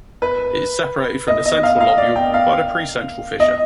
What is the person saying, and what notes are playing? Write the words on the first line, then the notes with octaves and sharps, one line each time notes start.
It is separated from the central lobule by the pre-central fissure.
B4
D#5
D#5
F5
F5
D5
G5
F5
D#5